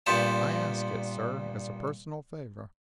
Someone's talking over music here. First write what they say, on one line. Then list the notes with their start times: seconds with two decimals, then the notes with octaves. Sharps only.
I ask it, sir, as a personal favor.'
0.06 G2 A#2 B3 C5 A5